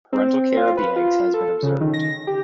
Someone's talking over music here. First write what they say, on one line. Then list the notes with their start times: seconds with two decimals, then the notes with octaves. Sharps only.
Parental care of the eggs has been observed.
0.13 C4
0.57 F4
0.77 B4
0.96 F4
1.34 A4
1.63 C#3
1.81 D#3
1.94 A#6
2.27 G4